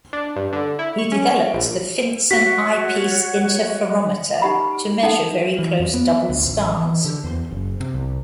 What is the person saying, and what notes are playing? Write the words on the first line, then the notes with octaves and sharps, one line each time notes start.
He developed the Finsen eyepiece interferometer to measure very close double stars.
D4
G2
D3
E4
C#6
C#4
A#1
F#4 C#5 F#5 B6
D#4 G4 F#5 B5
D#4 A4 F#5
E3
F2
B3
D2
A1
E3
D3
E2
F#1
C3
C2